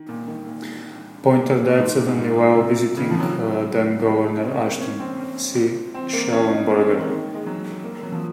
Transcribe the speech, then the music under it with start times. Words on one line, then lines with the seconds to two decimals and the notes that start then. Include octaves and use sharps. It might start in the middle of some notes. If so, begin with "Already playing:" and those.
Poynter died suddenly while visiting then Governor Ashton C. Shallenberger.
Already playing: D#3
0.09 A#2
0.27 D#3
0.46 A#2
1.40 A#2
1.59 A#2
1.79 G#2
1.97 A#2
2.17 G#2
2.35 A#2
2.54 C3
2.97 C#3
3.01 D#3
3.11 F3
3.20 F#3
4.06 G#3
4.38 C#4
4.43 C4
4.53 A#3
4.62 C4
4.81 C#4
5.00 C4
5.94 C4
6.13 A#3
6.32 C#4
6.48 C#4
6.51 D#4
6.70 C#4
6.80 C4
6.90 A#3
6.99 G#3
7.08 D#3
7.34 G#3
7.47 F#3
7.84 A#3
8.03 F#3
8.12 F3